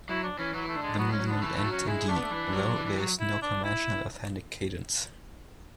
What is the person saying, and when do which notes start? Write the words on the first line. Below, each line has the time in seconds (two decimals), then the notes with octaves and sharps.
The movement ends in D, though there is no conventional authentic cadence.
0.09 F#3 E4
0.24 D4
0.39 E3 C#4
0.54 E3 F#3
0.68 A3
0.76 D3
0.83 G#3
0.98 F#3 B3
1.09 G#3 C#4
1.20 F#3
1.27 D3 B3
1.42 E3 A3
1.57 A3
1.64 F#3
1.72 C#4
1.87 G#3 E4
2.08 A3 D4
2.16 B3
2.23 A3
2.31 E3
2.53 F#3
2.75 E3
2.86 E3
2.98 F#3
3.20 E4
3.42 D4
3.64 E4